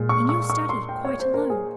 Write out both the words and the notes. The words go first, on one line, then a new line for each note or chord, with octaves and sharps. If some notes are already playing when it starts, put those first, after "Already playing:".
'In your study, quite alone.
Already playing: A#2 G#3
C#6
C#6
C#6
C6
G5
C#5
C5
A#4
G#4